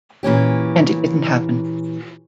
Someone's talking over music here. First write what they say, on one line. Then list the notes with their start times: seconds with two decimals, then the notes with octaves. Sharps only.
And it didn't happen.
0.23 A#2 E3 C#4 G4